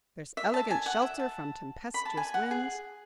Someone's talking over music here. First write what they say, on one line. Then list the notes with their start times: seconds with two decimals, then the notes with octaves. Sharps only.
There's elegant shelter from tempestuous winds.
0.37 E5
0.54 A5
0.70 G#5
0.86 F#5
1.02 E5
1.19 A5
1.94 B5
2.05 A5
2.17 G#5
2.34 F#5
2.51 G#4